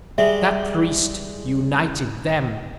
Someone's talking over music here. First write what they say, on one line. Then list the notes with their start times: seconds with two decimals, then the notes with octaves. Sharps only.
"That priest united them."
0.18 G3 G#3 E5